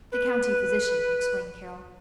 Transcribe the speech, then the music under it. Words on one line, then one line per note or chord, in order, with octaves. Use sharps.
"The county physician," explained Carroll.
B4